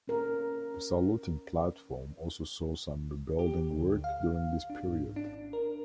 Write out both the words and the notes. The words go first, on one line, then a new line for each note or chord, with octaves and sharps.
The saluting platform also saw some rebuilding work during this period.
C#4 A#4
G4
D2
F5
D4
G#1
D4
A#4